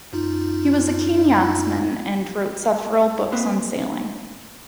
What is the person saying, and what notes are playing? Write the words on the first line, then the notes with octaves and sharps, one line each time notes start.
He was a keen yachtsman, and wrote several books on sailing.
F#2 D#4 F4
A#3 C4 B4 C5